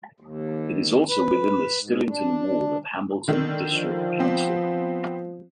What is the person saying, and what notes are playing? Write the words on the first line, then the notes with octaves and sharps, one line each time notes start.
It is also within the Stillington ward of Hambleton District Council.
D#2
B4
G#2
D4
D3 D#3
F3
B3 C4